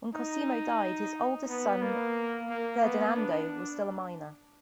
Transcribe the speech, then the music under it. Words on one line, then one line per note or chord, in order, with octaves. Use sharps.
When Cosimo died, his oldest son, Ferdinando, was still a minor.
D#4
B3
A#3
A#3
B3
D4